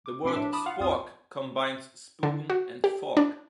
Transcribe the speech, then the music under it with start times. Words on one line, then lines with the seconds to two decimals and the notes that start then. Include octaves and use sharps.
The word "spork" combines "spoon" and "fork".
0.06 D6
0.24 A#1 B2 C4 D4 C6 B6
0.36 A2 D4 E5
0.52 A5 B5 D6 D#6
0.66 F4 F5 F#5
0.80 B1 F2 C4 F4 D#6
2.23 D3
2.50 F#4
2.84 G4
3.17 D4